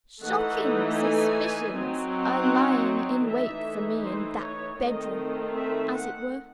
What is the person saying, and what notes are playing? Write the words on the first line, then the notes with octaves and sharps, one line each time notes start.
Shocking suspicions are lying in wait for me in that bedroom, as it were.
E3 A3 D#4 F#5
G#5
F#3 C4 D#4
F#5
E3 A3 D#4 E5
C5
C#5
D#3 A3 C4 D#4 D#5
E5
F#5